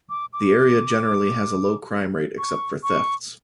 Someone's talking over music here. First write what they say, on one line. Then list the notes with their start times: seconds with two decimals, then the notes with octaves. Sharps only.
The area generally has a low crime rate except for thefts.
0.10 D6
0.33 D6
2.38 C#6
2.83 C#6